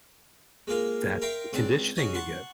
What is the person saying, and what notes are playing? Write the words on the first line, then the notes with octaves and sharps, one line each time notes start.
that's the conditioning you get.
G#3 A#3 F4 A#4
A#4 E5 F5 G5 A#5 C6
C#2 C4 D4 A5
C#4 F#4 G#4 D#5
F#5 A5 C6 C#6